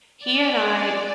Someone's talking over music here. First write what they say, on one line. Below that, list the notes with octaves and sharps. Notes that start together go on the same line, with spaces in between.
he and I
D5